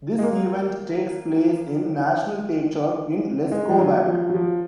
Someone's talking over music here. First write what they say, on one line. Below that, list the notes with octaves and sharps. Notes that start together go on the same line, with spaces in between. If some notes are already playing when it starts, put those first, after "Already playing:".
This event takes place in National Theater in Leskovac.
G#3
A#3
G#3
F3
F#3
F3
F#3
F3